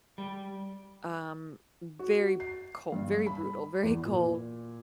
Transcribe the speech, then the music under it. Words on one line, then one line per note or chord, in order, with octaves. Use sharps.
um, very cold, very brutal, very cold
G3
F#4
C7
G2
B5
E2
A#2